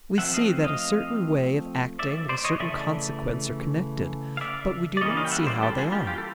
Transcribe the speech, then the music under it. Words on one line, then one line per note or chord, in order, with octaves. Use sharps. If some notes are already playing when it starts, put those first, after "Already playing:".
We see that a certain way of acting and a certain consequence are connected, but we do not see how they are.
F3 A3 C4 E5 F#5
D#5 F5
D#5 F5
D5 E5
C5 D5
C#5 D#5
C#3 E3 A3 D5 E5
F5
D5 E5
D5
E3 G3 A#3 C#4 C#5 D#5
D#5 F5
G5
E5 F#5
C5 D5
G4 A4
F#4 G#4
F4 G4
F4 G4
A4